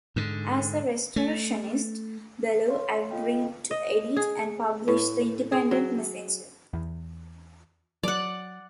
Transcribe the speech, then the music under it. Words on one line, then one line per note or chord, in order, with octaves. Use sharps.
As a Restorationist, Ballou agreed to edit and publish the "Independent Messenger".
G#2 D3
A3
C#5 F5 C6
F4 A4 D#5 F5 G5
D#5
G#4
A2
G#4
F#3
E2
F#3 D5 F#5